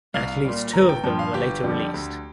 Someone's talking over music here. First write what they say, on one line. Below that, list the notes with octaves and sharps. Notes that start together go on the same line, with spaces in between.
At least two of them were later released.
C2 F5
A#2 G3
G1 A#5
G5
G2 F3 G5
F5
G1 G4
F2 D3 G3
D2